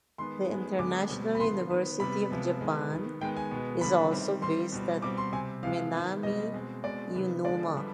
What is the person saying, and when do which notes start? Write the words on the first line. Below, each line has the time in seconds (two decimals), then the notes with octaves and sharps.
The International University of Japan is also based at Minamiuonuma.
0.18 D#3 G#3 B3 C6
0.49 D#3 G#3 B3
0.79 D3 G#3 B3 D6
1.09 B2 G3 C4
1.35 B5
1.40 D3 F3 B3 C6
1.70 D#3 B3
2.00 C3 G3 B3 B5
2.30 C3 F3 G#3 B3
2.61 D#3 G#3 B3
2.91 D#3 B3
3.21 D#3 G#3 B3 G5
3.37 G#5
3.51 B2 G#3 B3
3.81 D3 G3 B3 B5
4.11 D#3 G3 C4
4.42 D#3 G3 C4 C6
4.72 B2 G3 C4
5.02 B2 G3 C4 D6
5.17 C6
5.33 C3 G3 C4 G#5
5.63 C3 F3 G#3 F5
5.93 D#3 B3
6.23 B2 G3 C4 D#5
6.54 B2 G#3 C4
6.84 B2 G#3 C4 D5
7.15 C3 D#3 B3
7.44 D3 F3 G#3 B3 D5
7.75 D3 G3 B3